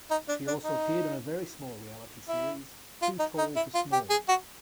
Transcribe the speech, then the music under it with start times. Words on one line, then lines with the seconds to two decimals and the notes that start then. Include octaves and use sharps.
She also appeared on a very small reality series, "Too Tall For Small".
0.11 D#4
0.29 D4
0.48 D4
0.65 D#4
2.29 E4
3.02 F4
3.19 D#4
3.38 D#4
3.56 E4
3.75 F4
3.93 G4
4.10 G#4
4.29 F#4